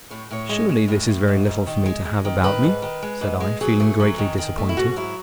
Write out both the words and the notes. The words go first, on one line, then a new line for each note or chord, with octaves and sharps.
"Surely this is very little for me to have about me!" said I, feeling greatly disappointed.
A2 C#5
A2 C#5
G#3
G#3
A2
A2
G#2
G#2
D#3
G#3
G#3
D#3
D#3 B4
G#2
D#3
G#3
G#2
G#3
F#3 G#4
A3
F#3
D#3
D#3
A3
E4
G#2 F#4
F#3 E4